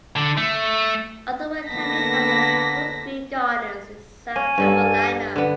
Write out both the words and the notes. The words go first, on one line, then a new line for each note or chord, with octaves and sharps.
Other work can be found at Brookgreen Gardens in South Carolina.
D3
A3
D3 A#3 B3 A5 A#6 B6
C#4 G#5
G2 G3 A4
D3 B3